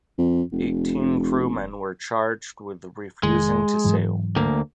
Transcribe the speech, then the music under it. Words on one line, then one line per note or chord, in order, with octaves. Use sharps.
Eighteen crewmen were charged with refusing to sail.
F2
F1
F1 D#3 G#3
G#2 E3 F#3
D2 A#3